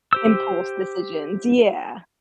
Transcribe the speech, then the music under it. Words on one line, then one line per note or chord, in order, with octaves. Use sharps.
impulse decisions, yeah.
G4 C5 E6